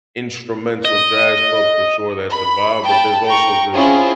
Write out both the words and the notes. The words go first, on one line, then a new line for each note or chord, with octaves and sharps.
instrumental jazz club, for sure, that's a vibe, but there's also just
D#5
B5
G5 A5 B5
G5 A#5 C#6
C4 C#4 E4 F4 G#4